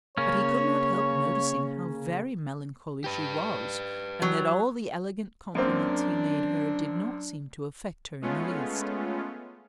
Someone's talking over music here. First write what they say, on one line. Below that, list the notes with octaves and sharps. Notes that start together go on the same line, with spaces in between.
But he could not help noticing how very melancholy she was, and that all the elegant compliments he made her did not seem to affect her in the least.
C#3 A#3 C#4 C#5
G4 B4
F#3
F#2 A#3 C4 D4
G#3 A3 B3 C#4 F4